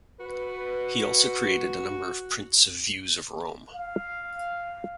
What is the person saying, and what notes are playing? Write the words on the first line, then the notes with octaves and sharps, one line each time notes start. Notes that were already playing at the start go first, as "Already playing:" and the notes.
He also created a number of prints of views of Rome.
F#4 B4
F5